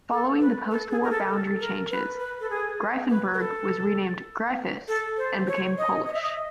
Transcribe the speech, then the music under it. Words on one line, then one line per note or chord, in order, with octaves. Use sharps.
Following the post-war boundary changes, Greifenberg was renamed "Gryfice" and became Polish.
A4
B4
A4
G#4
A#4
A4
A4
A#4
B4
B4
A4
G#4
B4
A#4
A4
A4
C5
C#5
D#5
D#5
E5
D#5